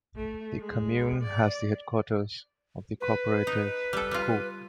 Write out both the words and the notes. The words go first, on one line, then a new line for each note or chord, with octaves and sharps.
The commune has the headquarters of the cooperative Coop.
A3
G#3
D5
B4
D#4
G3 A4
G3 F4